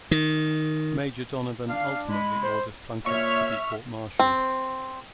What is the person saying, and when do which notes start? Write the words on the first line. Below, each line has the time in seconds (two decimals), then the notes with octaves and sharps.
Major Donovan ultimately orders Plunkett to be court-martialed.
0.11 D#3
1.69 D4 F5
2.09 G#3 B5
2.43 C5
3.06 A#2 C#5 E5 C#6 F6
4.19 C4